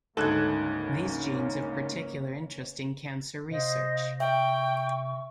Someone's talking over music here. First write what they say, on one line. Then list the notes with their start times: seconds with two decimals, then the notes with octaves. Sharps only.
These genes of particular interest in cancer research.
0.17 D2 G#2 C#3 A#3 C#4 A4 F#6 G#6
3.51 C3 C5 D#5 F5
4.20 E5 G5 C#6